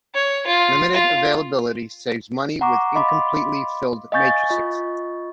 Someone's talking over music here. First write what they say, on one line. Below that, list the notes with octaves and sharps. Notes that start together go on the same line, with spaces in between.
Limited availability saves money with incompletely filled matrixes.
C#5
F4
F4
F#5 A#5 C#6 D6
D#5 F5 B5 C6 D6
D#5 F5 G#5 C#6 G6 A6
F4 D#5 C#6